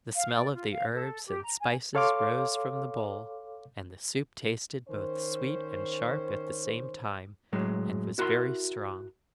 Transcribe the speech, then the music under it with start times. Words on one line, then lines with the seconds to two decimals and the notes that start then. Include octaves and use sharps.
The smell of the herbs and spices rose from the bowl, and the soup tasted both sweet and sharp at the same time, and was very strong.
0.15 F5
0.34 D5
0.53 F4
0.71 F5
0.93 A4
1.27 G4
1.43 A#5
1.61 G#5
1.95 A4 C#5 F5 C6 D6
4.88 D#3 C#4 C5
7.53 A2 F#3 G#3
8.18 E4 F#4 A#4 E5 C6